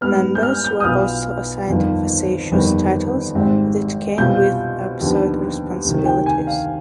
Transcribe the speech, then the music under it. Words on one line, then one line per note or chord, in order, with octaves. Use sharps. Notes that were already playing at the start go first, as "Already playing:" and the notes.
Members were also assigned facetious titles that came with absurd responsibilities.
G#2 G3 B3 F6
G6
F6
G6
D#6
B1 B2 B3 F4 F6
G1 F2 D#3 B3 F4
G1 F2 D#3 G3 B3
G#1 G#2 G3 C4
C2 B2 G3 C4 F4 G6
D#2 D3 F3 B3
D2 C3 D#3
G5
G#5
F5